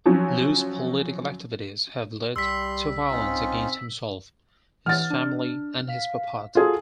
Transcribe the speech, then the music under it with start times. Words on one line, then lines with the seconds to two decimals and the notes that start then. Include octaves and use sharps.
Lu's political activities have led to violence against himself, his family, and his property.
0.06 F3 F#3 C#4
2.36 C2 G3 C6 E6 B6
3.11 C4 C#4 D#4 F4
4.86 E3 F#5 F6 A6
5.10 D4
5.88 F5 B6
6.55 F4 F#4 G#4 A4